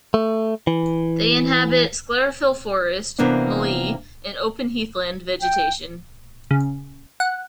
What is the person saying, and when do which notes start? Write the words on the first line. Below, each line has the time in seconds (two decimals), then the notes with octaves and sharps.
They inhabit sclerophyll forest, mallee, and open heathland vegetation.
0.14 A3
0.67 E3
3.19 C3 E3 A#3 B3 D4
5.42 G5
6.51 C#3
7.20 F#5